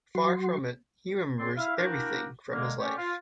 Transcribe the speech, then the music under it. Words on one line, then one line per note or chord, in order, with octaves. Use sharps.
Far from it, he remembers everything from his life.
F#3 F#4 C6
C#3 C4 G#4 D5 C6
E4 E5 F5
A#3 D4 E4 F#4 G4 A#4
D3 G#3 A#3
D3 A3 C#4 G4 C#5 D5
F4